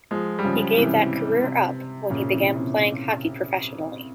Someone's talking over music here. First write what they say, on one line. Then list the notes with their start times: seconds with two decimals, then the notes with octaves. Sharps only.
He gave that career up when he began playing hockey professionally.
0.11 F3 G#3
0.39 G3
0.44 C#3 F3
0.77 C3 E3
1.44 C3
2.10 A#2 C#3
2.32 C3 E3
2.55 C3